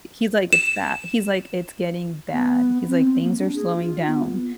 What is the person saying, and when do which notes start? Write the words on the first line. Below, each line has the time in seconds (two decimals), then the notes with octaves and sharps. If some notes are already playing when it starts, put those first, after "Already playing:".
he he's like, "It's bad" he's, like, "It's getting bad," he's, like, "Things are slowing down,
0.53 E7
2.32 B3
2.87 C4
3.21 A#3
3.39 D4
3.56 G#4
3.76 F4
4.07 B3
4.35 B3